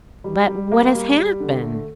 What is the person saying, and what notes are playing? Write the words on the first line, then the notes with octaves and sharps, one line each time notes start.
"But what has happened?"
G3
G3
A#3
G3
G3
D3
A3